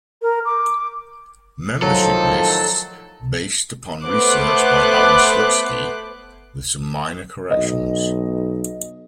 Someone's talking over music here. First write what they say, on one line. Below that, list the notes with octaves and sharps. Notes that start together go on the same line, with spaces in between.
Membership lists based upon research by Allan Slutsky, with some minor corrections.
A#4
D6
A2 D#3 F3 F#3 A4
A3 B3 C5 D6 F#6
B1 D#5